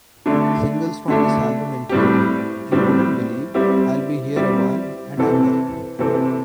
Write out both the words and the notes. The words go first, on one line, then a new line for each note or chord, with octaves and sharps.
Singles from this album include "You Wouldn't Believe", "I'll Be Here Awhile", and "Amber".
D3 A3 D4
D3 A3 D4
A2 G3 C4 G4
A2 G3 C4 G4
G3 C4 E4 G4
G3 C4 E4 G4
C3 E3 C4 A4
C3 E3 C4 A4